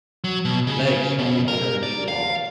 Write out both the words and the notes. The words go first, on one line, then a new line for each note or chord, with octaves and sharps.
Legs are moderately long.
F#3
B2
C#3
B2
A#4
D5
F5